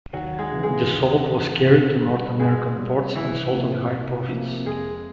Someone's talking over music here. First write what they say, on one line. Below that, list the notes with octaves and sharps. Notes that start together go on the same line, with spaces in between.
This salt was carried to North American ports and sold at high profits.
D#2 F#3 F#4
G#3 G#4
C#3 E3
G#3 G#4
D#2
C#3 E3
B2
G3 B3
B2 G#3 G#4
G3 B3
C2 E3 E4
C3 F3 A#3
C2
C3 F3 A#3
F2 G#3 G#4